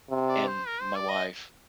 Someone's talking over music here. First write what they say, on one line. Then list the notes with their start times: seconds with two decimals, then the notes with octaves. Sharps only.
and my wife.
0.10 C3
0.28 D5
0.48 C5
0.67 A#4
0.81 C5
0.95 D5
1.09 D#5